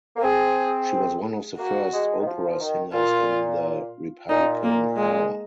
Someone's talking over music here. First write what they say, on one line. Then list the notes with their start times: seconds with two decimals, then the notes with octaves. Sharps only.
She was one of the first opera singers in the Republican era.
0.16 A#3
0.23 C4 G#4
1.58 A#3 F#4
1.92 G#3
2.20 D#3
2.26 F3
2.49 F3
2.60 D#3
2.94 A#2 F4
4.29 A#2 D#4
4.63 A#3
4.97 G#3